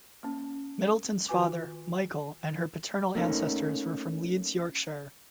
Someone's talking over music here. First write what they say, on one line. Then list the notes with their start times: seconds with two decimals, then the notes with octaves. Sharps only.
Middleton's father, Michael, and her paternal ancestors were from Leeds, Yorkshire.
0.23 A#3 C#4
1.28 D#3 F4 F#4 B4 G#5 D6
3.15 A3 A#3 C#4 D#4